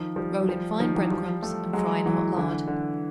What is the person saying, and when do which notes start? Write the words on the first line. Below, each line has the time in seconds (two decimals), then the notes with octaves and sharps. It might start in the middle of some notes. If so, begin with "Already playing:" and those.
Roll in fine bread-crumbs and fry in hot lard.
Already playing: D#3 F3
0.16 F3 G3
0.49 F3 G3
0.80 D#3 F3
0.95 E3 F#3
1.11 F3 G3
1.43 G3 A3
1.73 F#3 G#3
2.06 E3 F#3
2.36 D3 E3
2.67 D3